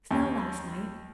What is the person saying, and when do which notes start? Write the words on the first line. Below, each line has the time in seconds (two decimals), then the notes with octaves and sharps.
Snow last night.
0.11 D#2